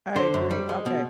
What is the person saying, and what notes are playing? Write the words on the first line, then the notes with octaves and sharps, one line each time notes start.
I agree, okay.
D3 C5
F#2
G3
G#3
B2